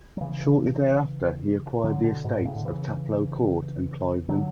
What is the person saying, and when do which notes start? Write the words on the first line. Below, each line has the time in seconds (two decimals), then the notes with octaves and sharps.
Shortly thereafter he acquired the estates of Taplow Court and Cliveden.
0.17 F#3
0.21 C#3 E3
1.84 D3 F#3
2.04 B2 D3
2.24 G#2 B2
2.45 A2 C#3
2.56 D3
2.65 C#3 E3
4.29 D3 F#3